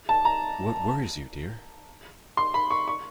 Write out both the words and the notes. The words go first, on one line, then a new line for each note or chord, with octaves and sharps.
What worries you, dear?
A5
A#5
C6
B5
C#6
C#6